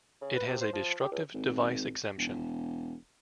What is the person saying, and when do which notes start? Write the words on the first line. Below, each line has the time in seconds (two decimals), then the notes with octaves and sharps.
It has a destructive device exemption.
0.22 C#3
0.36 B4
0.48 C3
0.61 C5
0.73 F3
1.00 G4
1.12 C#2
1.34 G#1
2.18 E1